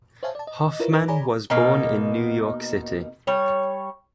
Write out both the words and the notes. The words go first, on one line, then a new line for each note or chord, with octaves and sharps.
Hoffman was born in New York City.
C5 C#5 E5 F5 G#5 A5
D5 A5
D#5
E4 F4 A#4 B4 C#5
D#4 A#4 B4 A#5
G#4 C#5 D5 G#5 A#5 B5
B2 A#3 D#4
G3 C#5